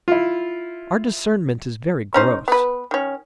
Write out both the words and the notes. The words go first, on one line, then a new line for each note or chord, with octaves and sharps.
Our discernment is very gross.
E4 F4
C#4 D#4 C5
B3 B4
D#3 C#4